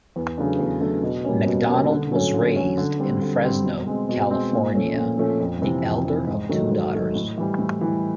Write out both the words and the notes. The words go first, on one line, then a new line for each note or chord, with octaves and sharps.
McDonald was raised in Fresno, California, the elder of two daughters.
E2
C#3 F#3 A3 D4
E2
C#3 F#3 A3 D4
B2
G3 A#3 C#4
B2
G3 A#3 C#4
D3
F#3 A3 C#4
D3
F#3 A3 C#4
D3
G3 C4
D3
G3 C4
B2
G#3 C4
B2
G#3 C4
A#2
F3 A3 C#4
A#2
F3 A3 C#4
F2
C3 E3
F2
C3 E3
G#2
D#3 F#3 A3
G#2
D#3 F#3 A3
A2
E3 G3
A2
E3 G3